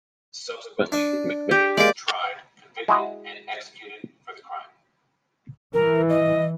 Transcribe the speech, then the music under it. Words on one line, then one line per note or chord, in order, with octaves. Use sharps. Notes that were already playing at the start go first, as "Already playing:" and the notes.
Subsequently, McVeigh was tried, convicted and executed for the crime.
D4
G4
G#3 A#3 D5 D6
G#3 E4 F#4 G#4
E3 A#4
D#5